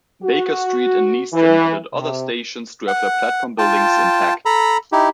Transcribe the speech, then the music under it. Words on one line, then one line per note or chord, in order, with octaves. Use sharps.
Baker Street and Neasden are the other stations to have their platform buildings intact.
F#4
E3
C3
F#5
F4 G5 A5
A4 A#5 B5
D#4 E4 G4